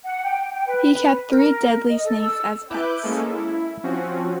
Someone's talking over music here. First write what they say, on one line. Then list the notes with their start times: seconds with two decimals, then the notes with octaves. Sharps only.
He keeps three deadly snakes as pets.
0.03 F#5
0.23 G5
0.51 G5
0.67 B4
1.28 A#4
1.89 D#5
2.04 A4
2.20 E6
2.70 E4 B4 D6 F#6 G6
3.03 G#3 A#3 C#4 A4
3.33 E4
3.83 F3 C4 C#4 F#4